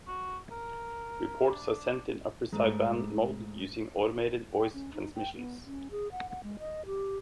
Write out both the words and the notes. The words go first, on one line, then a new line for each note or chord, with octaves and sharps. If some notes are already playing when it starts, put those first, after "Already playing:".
Reports are sent in upper sideband mode, using automated voice transmissions.
F#4
A#4
D4
G#2 A3
G5
C#4
D#4
G5
B3
C#4
G#4
F#5
F#5
G#3
D#5
G4